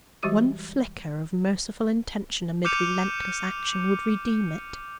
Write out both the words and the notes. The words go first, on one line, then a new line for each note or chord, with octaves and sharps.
One flicker of merciful intention amid relentless action would redeem it.
E3 G3 G#3 F#4 G4 D6
D6 F6 G6 C#7 D#7 F7